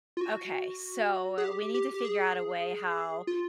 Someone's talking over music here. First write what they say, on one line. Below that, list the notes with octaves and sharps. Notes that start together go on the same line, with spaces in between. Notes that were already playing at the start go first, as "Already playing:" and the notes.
okay, so we need to figure out a way how
F4
F#4
G#4
G4
G4
G4
G#4
F4